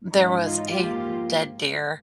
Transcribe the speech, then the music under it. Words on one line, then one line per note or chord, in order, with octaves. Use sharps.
there was a dead deer
G#2 E3 G#3 C#4 D#4
D#4 F4
G#2 F3 A#3 F4 G4